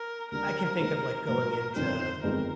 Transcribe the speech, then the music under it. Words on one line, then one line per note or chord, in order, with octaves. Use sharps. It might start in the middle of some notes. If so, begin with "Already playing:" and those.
I can think of, like, going into
Already playing: A#4
D#2 D3 G3 A#3 A#4
D#2 D#3 G#3 D#4 A#4
A#1 G#2 G3 A#4
G1 F2 D#3 G3 D4 C5
G1 F2 D#3 G#3 A#4